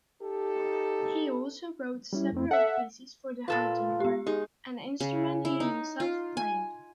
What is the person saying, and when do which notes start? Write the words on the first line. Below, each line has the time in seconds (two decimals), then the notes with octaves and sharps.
He also wrote several pieces for the hunting-horn, an instrument he himself played.
0.22 D#4 G4 A4
2.13 G3 C#4 E4
2.32 F2 A3 C4
2.51 A4 E5 F#5
3.48 A#2 F4 A4 B4
4.00 B3 G4
4.27 G#3 D#4 G4
5.00 C#3
5.45 E4
5.60 D#4
6.00 F4
6.37 G#5